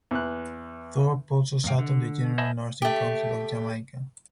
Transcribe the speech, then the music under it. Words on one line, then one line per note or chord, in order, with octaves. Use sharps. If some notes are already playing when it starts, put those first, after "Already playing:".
Thorpe also sat on the General Nursing Council of Jamaica.
E2 B4 F#6
E2 G#2 F5 G5
D3
C5 D#5 E5 G#5 A5 B5
A3 G4